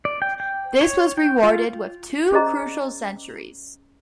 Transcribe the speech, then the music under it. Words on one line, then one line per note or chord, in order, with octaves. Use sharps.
This was rewarded with two crucial centuries.
D5
G5
G5
C#5
G5
F4
C#4 G#4 C5 D5 D#5 A#5